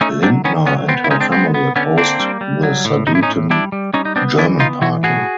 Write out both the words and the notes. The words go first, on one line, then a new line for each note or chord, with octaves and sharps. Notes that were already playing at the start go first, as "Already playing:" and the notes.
Lindner and her family opposed the Sudeten German Party.
A3 C#4 D#4
F#3 C4 D4
D#3 B3 C#4
F#3 B3 C#4
B3 C4
E4
G#3 C#4 D#4
C4 D4
B3 C4
B3
D3 B3 C#4
A#3 C4 D4
G3
G3
F#3
A2
A2 D#4
E4
C#4 D#4
A2
G3 D4 E4
G3
G3 C#4 D#4
D#4
B3 C4 D4
E3 D4 E4
B3 D#4 F4
E3 E4 F#4
A2 F#4 G#4